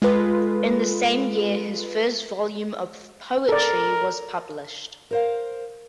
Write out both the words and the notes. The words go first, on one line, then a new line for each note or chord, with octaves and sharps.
In the same year his first volume of poetry was published.
G#3 F4 A4 B4
A4 A#4 D5
A#4 C5 F5